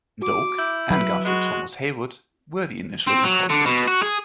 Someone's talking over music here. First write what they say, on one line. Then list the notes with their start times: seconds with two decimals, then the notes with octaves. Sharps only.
Doak, and Garfield Thomas Haywood were the initial incorporators.
0.22 F#4 D6
0.58 E4 G6
0.90 F#3 B4 B5
1.25 G#3 F#4
3.07 C4
3.23 F#3
3.50 D3
3.66 B2
3.88 F#4
4.02 G#4